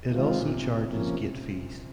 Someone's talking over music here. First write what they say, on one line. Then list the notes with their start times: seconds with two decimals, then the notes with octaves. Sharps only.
It also charges gate fees.
0.10 C3 D#3 G#3 C4 F4
0.39 A#2
0.49 C3
0.89 C#3 F3 A#3 C#4